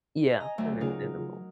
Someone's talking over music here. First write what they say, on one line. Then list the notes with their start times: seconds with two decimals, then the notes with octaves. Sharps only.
Yeah, understandable.
0.40 D#5 G#5 A#5
0.58 D2 F#3 A3 E5
0.81 C#3 D#4 F4 G#4 A#4